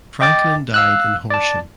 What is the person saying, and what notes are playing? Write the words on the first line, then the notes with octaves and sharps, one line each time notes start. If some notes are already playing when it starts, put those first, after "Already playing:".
Franklin died in Horsham.
D#5 G5 D6 A6
F5 E6 F#6
D5 A5